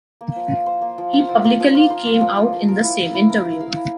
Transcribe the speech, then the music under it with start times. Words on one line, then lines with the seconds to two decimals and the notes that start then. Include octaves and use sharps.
He publicly came out in the same interview.
0.21 A#3
0.36 F3
0.51 F4
0.66 C5
0.82 A#3
0.98 F3
1.13 F4
1.28 C5
1.44 A#3
1.60 F3
1.75 F4
1.90 C5
2.06 A#3
2.21 F3
2.37 F4
2.53 C5
2.68 A#4
2.83 E4
2.99 F5
3.14 E4
3.29 A#4
3.45 E4
3.60 F5
3.76 E4